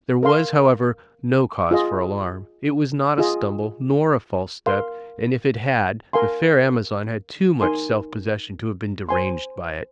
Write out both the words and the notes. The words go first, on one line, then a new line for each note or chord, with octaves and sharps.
There was, however, no cause for alarm; it was not a stumble, nor a false step; and, if it had, the fair Amazon had too much self-possession to have been deranged by it.
A#4 F5 C6
F4 G#4 D#5
F4 G#4 D#5
A#4 F5 C6
A#4 F5 G#5 C6
D#4 A#4 G#5 C6
C5 G#5 C6